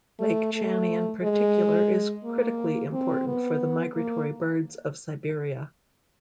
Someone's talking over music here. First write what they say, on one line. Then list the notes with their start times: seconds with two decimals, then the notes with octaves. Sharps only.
Lake Chany in particular is critically important for the migratory birds of Siberia.
0.20 A3
0.54 A3
1.22 G#3
2.24 A#3
2.93 C4
3.27 B3
3.95 A#3